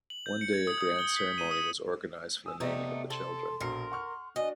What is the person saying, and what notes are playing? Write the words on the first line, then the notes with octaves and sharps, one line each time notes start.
One day, a grand ceremony was organized for the naming of the children.
F#7
G6
C#7
G#6
D#6
D#6
G7
B6
D#7
D#6
G#5 D#6 E6
C3 A3 B3 D#4 D5
A4 C6
A#1 B2 A#4 C7
F#5 C#6 F6
D4 F#4 D#5 G#5